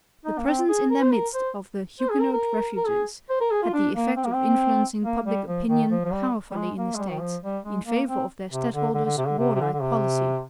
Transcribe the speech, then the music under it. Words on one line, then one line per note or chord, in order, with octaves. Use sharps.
The presence in their midst of the Huguenot refugees had the effect of influencing public opinion powerfully in the States in favour of their stadholder's warlike policy.
D#4
A#3
C4
G#4
A#4
C5
A#4
C5
C5
G#4
A#4
A#4
A#4
G#4
C5
A#4
G#4
F4
D4
A#3
C4
A#3
C4
A#3
G3
F3
D#3
F3
F3
G3
G3
G#3
A#3
G#3
G3
D#3
F3
G3
G#3
A#3
C4
C3
D3
D3
D3
C3
D3
C3
C3
D3
D3
C3